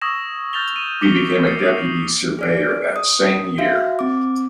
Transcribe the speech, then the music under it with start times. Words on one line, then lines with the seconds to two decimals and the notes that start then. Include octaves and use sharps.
He became a deputy surveyor that same year.
0.01 C#6 D#6 E6 G#6 A#6 E7
0.53 F6 G6 A6 A#6 F7 G7
0.74 A6 D#7 E7
1.01 D6 A#6 B6 C#7 F7 G7
1.46 D#6 A6 B6 C7
1.63 D#6
2.39 G#4 D5 D7
2.96 D#6
3.58 F#4 E5 F5
3.99 C4 D6